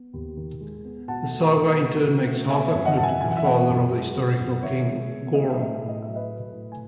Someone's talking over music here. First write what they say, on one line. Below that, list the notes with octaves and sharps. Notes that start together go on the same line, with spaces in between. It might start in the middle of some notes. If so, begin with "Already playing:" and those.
The saga in turn makes Harthacnut the father of the historical king, Gorm.
Already playing: B3
D#2
D#3
G#3
B3
B2 F#5 A5
A3
B2
A3
B2
A3
B3 E5 G#5
C#5 E5
F#2
D#5 F#5
F#2 A5
E5 G#5
E3 G#5
F#5
E5
B3 D#5 F#5
F#2
G#3
B3
F#2
D#3 C#5 E5
G#3
B3
A3 D#5
E5
A2 D#5
E5
A2
D#5
F#3 E5
B4 D#5
A3
A2
G#5